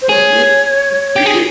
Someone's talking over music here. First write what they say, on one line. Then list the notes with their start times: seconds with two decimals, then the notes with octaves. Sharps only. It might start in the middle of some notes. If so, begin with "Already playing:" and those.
The weapons are also used to make Ultimate Fatality with slashing.
0.01 C5
0.09 G#4 C#5
1.16 G4
1.26 G#4